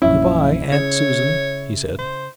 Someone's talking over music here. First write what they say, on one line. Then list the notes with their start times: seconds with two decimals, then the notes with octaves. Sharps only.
"Good-bye, Aunt Susan," he said.
0.02 A#1 F#2 C#4 E4
0.72 C#3 C#5
1.99 C5